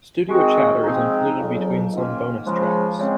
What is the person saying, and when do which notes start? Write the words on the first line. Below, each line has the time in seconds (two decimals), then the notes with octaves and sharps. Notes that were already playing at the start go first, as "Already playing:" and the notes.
Studio chatter is included between some bonus tracks.
0.28 D#3 G#3 C4 F#4
0.83 F3 G#3 C4 D#4
1.37 F2 C#3 F#3
1.91 G#2 D#3 A#3 C#4 F4
2.44 C#3 F3 G#3
2.99 C#3 G#3 C4